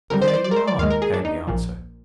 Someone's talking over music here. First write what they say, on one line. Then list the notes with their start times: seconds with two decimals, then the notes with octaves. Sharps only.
"There you are," came the answer.
0.10 F2 D3 G3 A#4
0.22 C5
0.28 D5
0.34 C5
0.44 D5
0.51 A#4
0.56 C5
0.67 D5
0.78 D#2 D#3 G#3 F5
0.90 A#4
1.02 G#4
1.14 D4
1.25 D#4
1.47 A#1 A#2 F3